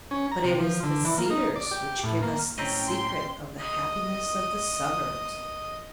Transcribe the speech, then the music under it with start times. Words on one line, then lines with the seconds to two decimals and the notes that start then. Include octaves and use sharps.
But it is the Cedars which gives us the secret of the happiness of the suburbs.
0.11 C#4
0.32 A#5
0.44 C3
0.60 F3
0.83 D3
1.04 E3
1.18 A#3
1.30 D#4
1.56 D5
1.71 G4
2.03 A2
2.22 A#3
2.58 A2 C4 C#4 G4 C#5 D#5 G5 A#5
2.87 C6
3.60 D#5 D#6